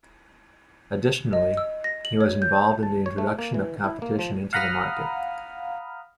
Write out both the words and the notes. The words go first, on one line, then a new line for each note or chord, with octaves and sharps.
Additionally, he was involved in the introduction of competition into the market.
D#5
E6
A#6
F#7
C#5
G6
A5
C#5
A3
A#3
E3
E4
A#3
F3
F5 F#5 A#5 B5 D#6 F6